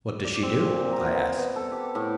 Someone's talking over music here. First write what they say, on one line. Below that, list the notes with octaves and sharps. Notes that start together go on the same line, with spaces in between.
"What does she do?" I asked.
D5
C4
A#2
A#5
B3
B3
A4
G4
A2